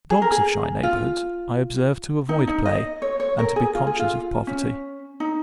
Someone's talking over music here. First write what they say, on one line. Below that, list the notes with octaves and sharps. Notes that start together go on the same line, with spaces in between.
The dogs of shy neighbourhoods, I observe to avoid play, and to be conscious of poverty.
G#4
A#4
G#4
F4
D#4
D#4
D#5
C#5
C#5
A#4
G#4
F4
G#4
F4
C#4
D#4